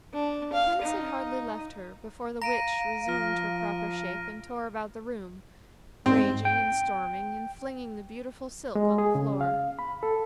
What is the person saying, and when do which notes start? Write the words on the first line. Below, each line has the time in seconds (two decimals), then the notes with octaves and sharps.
The prince had hardly left her before the witch resumed her proper shape and tore about the room, raging and storming and flinging the beautiful silk on the floor.
0.13 D4
0.53 F5
0.81 D#4
2.42 F5 A#5 A#6 D7 D#7
3.08 F3 F6 A#6
6.06 G#2 C4
6.45 G5
8.75 G#3
8.98 G#4
9.15 C#3
9.41 F5
9.79 B5
10.03 A4